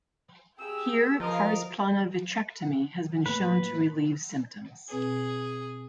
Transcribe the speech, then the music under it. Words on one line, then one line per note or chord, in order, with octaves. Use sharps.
Here pars plana vitrectomy has been shown to relieve symptoms.
G4 G#4 E6
F3 A#4 D#5 F5
F#5
A2 A#3 B4
B2 C4 G#4 B4